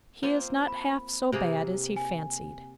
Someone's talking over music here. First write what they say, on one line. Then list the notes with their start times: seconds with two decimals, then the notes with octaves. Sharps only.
He is not half so bad as he fancied.
0.23 A#3 C4 F4
0.68 B5
1.32 C3 A#3 G#4
1.96 G#5